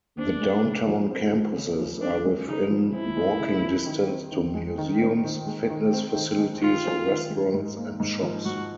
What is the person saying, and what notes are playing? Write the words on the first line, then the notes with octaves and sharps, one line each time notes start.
The downtown campuses are within walking distance to museums, fitness facilities, restaurants and shops.
C4 D4
G#3
C#3
F3
C4
G#3
C#3
F3
C4 D4
G#3
C#3 D#4
F3
C4 E4
G#3
C#3
F3
D#3
C4
D#3
G#3
D#3
C4
D#3
G#3
D#3
C4
D#3
G#3
D#3 F4
C4
D#3
G#3
G#2
A#3
G#2
F3
G#2 F#4